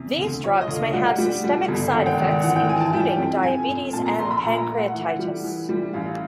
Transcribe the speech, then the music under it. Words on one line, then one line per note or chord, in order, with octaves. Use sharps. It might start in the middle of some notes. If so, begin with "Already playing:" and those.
These drugs may have systemic side effects including diabetes and pancreatitis.
Already playing: E2 C3
D2
F3 C#5
D#5
D2
F5
G3 F#5
G3
G3
G1
G#1 F#5
G5
G#1
F#5
E3 F#5
G5
E3 G#5
A5
G3 G5
F2
F2 G#5
F2
A#2 A5
A#5
A#1 C6
B5
A#2 A#5
A3
F#5
E3 F#5
G3
E3
G3
A1 F5